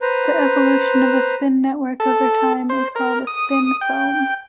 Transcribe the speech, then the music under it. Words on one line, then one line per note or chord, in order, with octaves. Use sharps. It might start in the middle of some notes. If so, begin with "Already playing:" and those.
The evolution of a spin network over time is called a spin foam.
B4 C5 A#5
A4
C5
A#4
D#6
G5